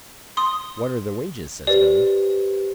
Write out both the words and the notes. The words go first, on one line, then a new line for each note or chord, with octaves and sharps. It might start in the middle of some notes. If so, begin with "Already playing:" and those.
"What are the wages?" says Billy.
C6 D#6
G4 B4 C5 D5